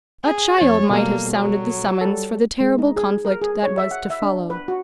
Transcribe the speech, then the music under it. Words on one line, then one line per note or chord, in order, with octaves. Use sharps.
A child might have sounded the summons for the terrible conflict that was to follow.
G#4
F2 C#5 A6
B2 G3 A#3 A4
F#3
G3 A4
G#3
D#4
G#4
A#4
G#4
C#5
E5
F#5
E5
D4
B4
F#4